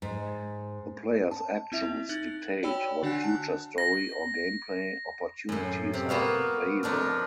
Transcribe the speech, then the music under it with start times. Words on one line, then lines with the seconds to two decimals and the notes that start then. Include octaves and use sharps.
The player's actions dictate what future story or gameplay opportunities are available.
0.02 G#2
1.31 A5
1.72 C4 E4 E5 F7
2.09 D#4 F#6 A6 F#7
2.63 F#4 C#5 D5 G5 B5 E6
3.03 D3 D4 F#4 F#5 G#5 F#6
3.24 A5 F#6
3.78 A#6
5.49 F#2 A2
5.94 C3
6.09 A#3 B3 F#4 F5
6.83 F2 D4 D#4 A#4